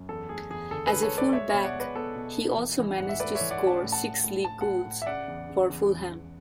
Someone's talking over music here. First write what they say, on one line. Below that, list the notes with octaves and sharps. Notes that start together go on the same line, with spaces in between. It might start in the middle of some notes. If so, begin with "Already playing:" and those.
As a full back he also managed to score six League goals for Fulham.
Already playing: F#2
E2 A4
A3 G#4
E2 G#4
D3 A4
G#4 B4
D3
A4 C#5
A3 B4 D5
G#3 C#5 E5
B2 C#5 E5
D5 F#5
G#3
B4 D5
B3 A4
B2
B2
E3
E3
G#2 F#5
E5
A3 B4 D5
C#5 E5
E3
D5 F#5
C#4
A5
A2
F#5 A5
A2
A2
A2 A5
A2 F#5 A5
A2
E5
C#3 D5 F#5
E2
C#3
E2
E2
E2